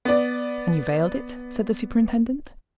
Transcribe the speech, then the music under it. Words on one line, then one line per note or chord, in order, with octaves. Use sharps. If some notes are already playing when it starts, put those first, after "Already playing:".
"And you veiled it?" said the superintendent.
B3 D5